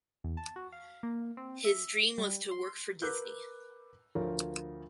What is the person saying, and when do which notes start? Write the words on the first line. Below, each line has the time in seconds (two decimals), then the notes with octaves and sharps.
His dream was to work for Disney.
0.24 E2
0.37 A5
0.56 F#4
0.72 F5
1.03 A#3
1.37 C4
1.65 E5
2.18 G3
2.51 C6
3.02 A#4 B4 D6 E6 F#6 G6
4.15 D2 F3 A#4 C#5